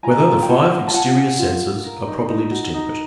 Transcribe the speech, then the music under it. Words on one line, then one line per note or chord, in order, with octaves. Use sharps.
Whether the Five Exterior Senses Are Properly Distinguished?
F4 G#5 A#5
F4
G5
F4 F#5 G#5
F4
A5
F4 F#5 G#5
G#4
F4
F4
A#4
D#4
D#4
F#4
D#4